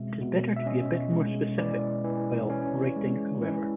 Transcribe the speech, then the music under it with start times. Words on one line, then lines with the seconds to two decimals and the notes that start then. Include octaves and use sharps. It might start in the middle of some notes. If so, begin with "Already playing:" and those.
It is better to be a bit more specific while writing however.
Already playing: B2 G#3 C4 E5
0.21 B2
0.56 E5
0.66 C#4 D#5
1.13 G#3
1.58 E3 D5
2.04 E3
2.50 C#4
2.96 G#3
3.42 E3